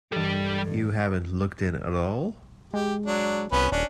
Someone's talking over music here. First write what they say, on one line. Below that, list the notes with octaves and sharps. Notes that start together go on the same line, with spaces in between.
You haven't looked in at all?
G2 E3 G3 G4 A4
G#3 G4
F#3 D4
C2 B3 C#4 B4
D#1 C#4 D4